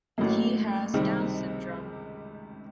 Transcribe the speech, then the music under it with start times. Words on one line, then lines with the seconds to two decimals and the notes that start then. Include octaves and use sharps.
He has Down syndrome.
0.18 A1 A2 F#3 A#3
0.94 C#2 C3 D#3 G3 C4